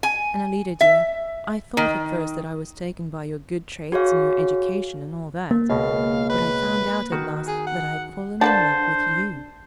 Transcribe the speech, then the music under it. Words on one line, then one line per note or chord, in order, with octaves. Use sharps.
And, Alida, dear, I thought at first that I was taken by your good traits and your education and all that, but I found out at last that I had fallen in love with YOU.
G#5
E5
D#3
F#4 G#4 C#5 F5
A#3
C#2 B2 F5
B4
D#3 F#4
G#4
F#5
D3 A#3 D4 B4 C5 A5